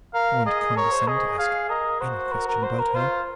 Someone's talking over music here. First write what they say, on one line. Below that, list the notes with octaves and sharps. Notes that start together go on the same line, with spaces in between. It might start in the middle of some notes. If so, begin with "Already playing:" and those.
I won't condescend to ask any question about her.
A#4 F5
G#4 D#5
A#4 C#5
C5
G#4 D#5
G#4 F5
A#4 D#5
F#4 C5
A#4
A#4
C5
A#4
F4 C5